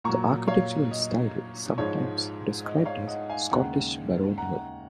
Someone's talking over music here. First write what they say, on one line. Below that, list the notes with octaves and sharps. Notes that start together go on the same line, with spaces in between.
The architectural style is sometimes described as Scottish baronial.
A#2 F#3 A#5 C#6
C#5 F5
D#5
G#2 F3 G#3 C#5
D#5
C#5 F5
D#5 F#5
F5 G#5
D#2 C#3 G#3 F#5 A#5
F#5 A#5